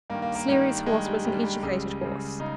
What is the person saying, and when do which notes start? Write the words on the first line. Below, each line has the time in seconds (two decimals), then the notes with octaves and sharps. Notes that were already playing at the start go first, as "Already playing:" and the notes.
Sleary's horse was an educated horse.
0.10 G2 A#3
0.14 D#3
0.22 A#3
0.35 A#3
0.48 G2 D#3
0.86 G2 D#3 G#3
1.06 G3
1.25 G2 D#3 G3
1.44 G3
1.63 C#2 C#3 G3
2.01 C#2 C#3
2.40 C#3 D#4